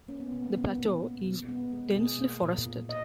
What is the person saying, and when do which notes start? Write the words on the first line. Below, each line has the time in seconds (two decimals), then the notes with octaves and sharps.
The plateau is densely forested.
0.08 A#3 C#4
0.20 B3
0.32 B2 B3
0.44 A#3
0.55 G#3 B3
0.78 A#2
1.02 A#3
1.26 B2
1.48 G#3 B3
1.72 G#3
1.95 B2 G#4
2.19 A#3
2.42 A#2
2.66 A#2
2.89 D#5